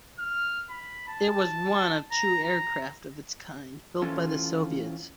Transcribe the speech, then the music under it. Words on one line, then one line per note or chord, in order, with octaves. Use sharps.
It was one of two aircraft of its kind built by the Soviets.
F6
B5
A5
A#5
A#5
E3 C#4 F4 A4 C5